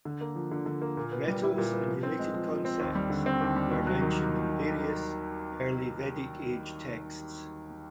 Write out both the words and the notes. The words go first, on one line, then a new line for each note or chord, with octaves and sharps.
Metals and related concepts were mentioned in various early Vedic age texts.
D3
A#3
F3
D3
D3
A#3
A#2
B3
G3
E4
A#2
B3
F3
C4
G#3
F3
F3
C4
D#2
G3
D3
C4
D#2
G3
D#2
F#3
D#3